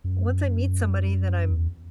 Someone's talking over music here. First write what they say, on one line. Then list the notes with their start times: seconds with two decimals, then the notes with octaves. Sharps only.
once I meet somebody, then I'm
0.04 F#2
1.51 E2